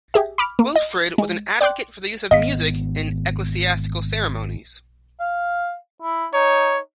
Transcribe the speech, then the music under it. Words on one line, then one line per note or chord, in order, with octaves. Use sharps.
Wilfrid was an advocate for the use of music in ecclesiastical ceremonies.
G4 G#4 E5
B5 D6 F6
A#3
D#5
G#3
D5 G5 C6 D6 F#6
G#1 B3 D#5 F5 B6
F5
E4
D#4 C#5